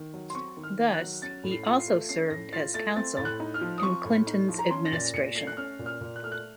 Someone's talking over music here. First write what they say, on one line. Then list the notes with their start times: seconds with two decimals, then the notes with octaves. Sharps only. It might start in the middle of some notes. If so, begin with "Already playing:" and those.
Thus, he also served as counsel in Clinton's administration.
Already playing: D#3
0.14 F#3
0.30 C6
0.35 C4 C#6
0.57 D#3
0.64 F6
0.79 D#3
0.94 F#6
1.00 F#3
1.22 C#4 A6
1.44 A2
1.51 C7
1.65 F4
1.80 C7
1.88 A3
2.09 C#4 C7
2.30 A2 A#6
2.53 F4 A6
2.74 A3 A6
2.96 C4 A6
3.17 A2 A6
3.25 F#6
3.40 D#4
3.54 F6
3.61 F3
3.78 D#6
3.83 C4 C#6
4.05 A2
4.27 D#4
4.49 F3
4.59 A#5
4.70 C#4 C6
4.85 A#6
4.92 A#2 A6
5.14 A#2 C#7
5.36 A3 C7
5.47 F#6
5.57 C#4 F6
5.79 A#2
5.86 F6
6.01 A#2
6.16 F#6
6.22 A3 F6
6.32 F#6